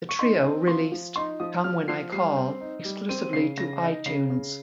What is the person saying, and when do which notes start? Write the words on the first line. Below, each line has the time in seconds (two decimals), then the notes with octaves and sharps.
The Trio released "Come When I Call" exclusively to iTunes.
0.09 C#6
0.19 D#4 C6
0.43 C4
0.67 F3 C6
0.92 F3
1.16 D#4 C6
1.40 F3 D#6
1.64 F3 F6
1.88 F3 C7
2.12 G3 C7
2.36 C4
2.60 D#4
2.85 G3
3.09 C4 D#7
3.33 C#3 C7
3.57 C#3 A#6
3.81 D#4
4.06 C#3 C7
4.30 C#3